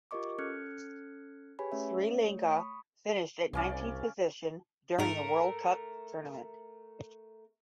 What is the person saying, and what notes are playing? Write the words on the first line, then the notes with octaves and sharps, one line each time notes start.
Sri Lanka finished at nineteenth position during the World Cup tournament.
F4 G4 A#4 D#5 C#6 D6
C#4 A4 F6 F#6 G#6 C#7
G4 G#4 B4 C#5 G#5 B5
A3 C#4 C#5 E5
A3 C#5
B5 C#6 D#6
C2 C#3 C#4 D5
G#2 A3 A#4